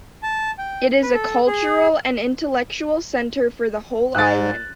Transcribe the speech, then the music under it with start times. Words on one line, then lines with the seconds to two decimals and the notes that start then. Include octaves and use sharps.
It is a cultural and intellectual center for the whole island.
0.23 A5
0.58 G5
1.03 B4
1.14 A4
1.47 G#4
4.15 G#2 F#6 A6